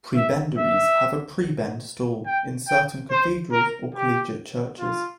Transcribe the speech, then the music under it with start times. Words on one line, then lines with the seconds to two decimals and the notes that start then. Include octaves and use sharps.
Prebendaries have a Prebend Stall in certain cathedrals or collegiate churches.
0.16 E5
0.58 E5
2.26 G5
2.68 G5
3.10 C5
3.52 A#4
3.95 G4
4.79 F4